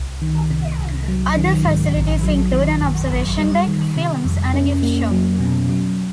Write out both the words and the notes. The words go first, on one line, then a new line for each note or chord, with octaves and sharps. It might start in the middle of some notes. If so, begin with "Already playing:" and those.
Other facilities include an observation deck, films and a gift shop.
Already playing: C2
D#3
C3
C2
F#3
D#3
G#2
A#1
F#3
D#3
F#2
G#1
G3
D#3
C3
F2
C#4
A#3
F#3
B2
F#3